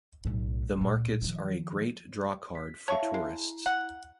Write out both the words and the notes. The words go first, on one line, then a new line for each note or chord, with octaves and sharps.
The markets are a great drawcard for tourists.
B1 A2
C#2 A#2
D#3 F3
B6
C#5 E5 F5 A5 C#6
E4
G#3
F#5